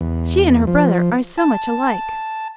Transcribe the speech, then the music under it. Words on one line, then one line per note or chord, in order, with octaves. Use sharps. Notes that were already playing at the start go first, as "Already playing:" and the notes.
She and her brother are so much alike!
E2
F3
A5